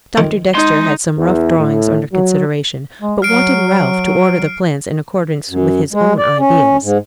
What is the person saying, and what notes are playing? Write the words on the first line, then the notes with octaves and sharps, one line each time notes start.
Doctor Dexter had some rough drawings under consideration, but wanted Ralph to order the plans in accordance with his own ideas.
F2 D#3
G#3 D#4 C6
E2
A2
F#3
G#3
F#3 F6 C7 D7
F#2
G#3
D5
C#4
G#2